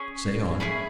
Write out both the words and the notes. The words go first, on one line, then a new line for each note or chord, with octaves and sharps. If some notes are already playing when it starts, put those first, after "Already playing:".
"Say on."
Already playing: C#4 G#4
C#4 E4 G#4